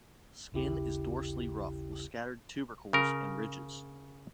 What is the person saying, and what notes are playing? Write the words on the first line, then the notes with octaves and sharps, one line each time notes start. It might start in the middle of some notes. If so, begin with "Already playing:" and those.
Skin is dorsally rough with scattered tubercles and ridges.
A1 D#2 C#3 E4 G4
C#3 A#4